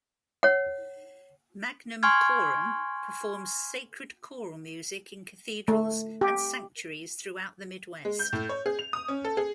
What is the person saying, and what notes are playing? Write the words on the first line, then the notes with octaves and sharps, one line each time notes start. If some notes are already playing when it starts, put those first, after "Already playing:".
Magnum Chorum performs sacred choral music in cathedrals and sanctuaries throughout the Midwest.
C#5 F#5
G#5 C6 C#6 F6 G#6
A3
G4
G#3
G6
A2
C#5
G#4
F7
D#6
C#4
A4
G#4